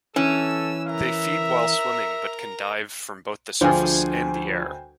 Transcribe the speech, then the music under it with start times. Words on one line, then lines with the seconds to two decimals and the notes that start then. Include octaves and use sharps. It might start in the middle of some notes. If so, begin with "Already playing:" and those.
They feed while swimming but can dive from both the surface and the air.
0.16 E3 C#4 A4 E6
0.88 A#4 E5 A#5
3.61 D2 F3 D4 F4 G#4 C5 G5 G#5